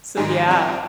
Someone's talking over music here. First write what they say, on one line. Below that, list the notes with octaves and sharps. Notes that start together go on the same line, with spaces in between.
So, yeah.
G#1 G#2 D#3 G#3 G#4
A#1 A#2 G3 C4